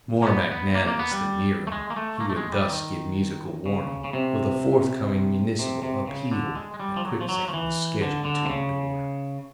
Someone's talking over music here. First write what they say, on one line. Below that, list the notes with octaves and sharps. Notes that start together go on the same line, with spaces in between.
More magnanimous than Nero, he would thus give musical warning of the forthcoming municipal upheaval that Quicksand was scheduled to endure.
A#3
B3
B3
A#3
A#3
B3
G3
A3
G#3
A#3
A3
A#3
A3
G#3
G3
D#3
C#3
C#3
C3
C3
C3
C#3
D3
G#3
G#3
G3
F3
F#3
F3
F#3
F3
E3
D3
D3
C3
C#3